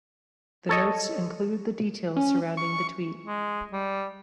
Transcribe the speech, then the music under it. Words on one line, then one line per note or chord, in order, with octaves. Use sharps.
The notes include the details surrounding the tweet.
A4 C#5 D#5
C#4
C#6
G#3
G3